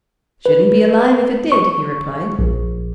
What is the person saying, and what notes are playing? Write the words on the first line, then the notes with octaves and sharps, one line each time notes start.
"Shouldn't be alive if it did," he replied.
B4
C#6
A#1